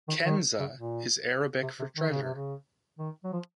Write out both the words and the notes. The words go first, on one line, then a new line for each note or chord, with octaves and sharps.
"Kenza" is Arabic for treasure.
D#3
D#3
C#3
A#2
C3
C3
D#3
C#3
C3
C#3
D#3
F#3
F3